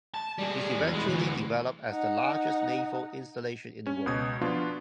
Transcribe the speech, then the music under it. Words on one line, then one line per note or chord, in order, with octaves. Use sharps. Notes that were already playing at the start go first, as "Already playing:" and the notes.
This eventually developed as the largest naval installation in the world.
A5
G3 G#4
E2
G#3 E4
D2 E3
D#4 F#5
C#4
C#2 B2 D#6 G#6
F3 B3 D4 F4 F#4